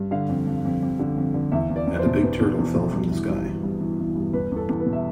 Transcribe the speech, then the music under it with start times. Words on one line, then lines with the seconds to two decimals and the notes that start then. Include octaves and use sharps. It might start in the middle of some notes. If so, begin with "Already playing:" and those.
And a big turtle fell from the sky.
Already playing: G2
0.11 D3 F5
0.29 F2
0.47 F2
0.65 F2
0.83 F2
0.99 D3
1.18 F2
1.34 D3
1.52 E2 E5
1.70 E2
1.76 D5
1.87 E2
1.99 C5
2.06 B2
2.23 B2 B4
2.41 B2
2.58 E2
2.75 B2
2.93 G2
3.11 E3
3.28 G2
3.46 E3
3.63 G2
3.80 E3
3.99 E3
4.15 G2
4.33 E2 B4
4.51 E2
4.56 A4
4.69 E2
4.80 B4
4.86 B2
4.93 E5